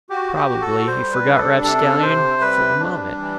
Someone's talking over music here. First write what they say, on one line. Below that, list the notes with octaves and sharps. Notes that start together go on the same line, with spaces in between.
Probably he forgot Rapscallion for the moment.
F#4 G4
G4
F#4
A4
G3 C5
B4
D4
A4
C3 A4
C3 C5
G3 B4
G3 D4
E3